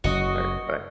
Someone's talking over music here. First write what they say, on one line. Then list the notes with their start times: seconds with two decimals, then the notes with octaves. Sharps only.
Right, bye.
0.04 F#1 F#4 D#5